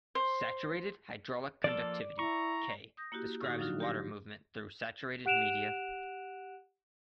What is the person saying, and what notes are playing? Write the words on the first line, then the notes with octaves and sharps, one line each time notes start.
Saturated hydraulic conductivity, "K", describes water movement through saturated media.
C5
F3 A#3 A4 D5
E4 A#5 C#6
D#6 G6 A#6
A#3 E4 F#4 G4
A2 D3 D#4 F#4
F3 F#3 D4 D#4 F4 F#4
G4 A#6
G4 F#5 F#6 D7 E7 F7